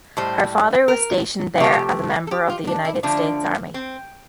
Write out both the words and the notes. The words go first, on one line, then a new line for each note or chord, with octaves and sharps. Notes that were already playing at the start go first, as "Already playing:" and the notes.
Her father was stationed there as a member of the United States Army.
A2 G3 C5
A#4
C3 F3 A3 G4
A4
G4
F4
D4
E4
D3 F3 A3 D4
C4